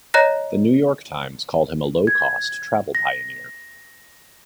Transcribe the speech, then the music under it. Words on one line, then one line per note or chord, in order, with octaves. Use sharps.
The New York Times called him a low-cost travel pioneer.
C#5 D#5 A#5 F#6 A#6
G#6
A#6